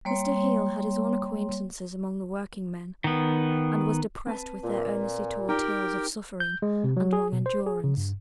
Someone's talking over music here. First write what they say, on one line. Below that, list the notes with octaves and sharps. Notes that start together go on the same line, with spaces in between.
Mr. Hale had his own acquaintances among the working men, and was depressed with their earnestly told tales of suffering and long-endurance.
G3 A#3 C#5 C6
D#3 B3
C4 B4 A5
A#2
D#4 G4 A#4 G5
G6
G#3
C3
F#3
G#4
B2
C5
G#4
C#3
G2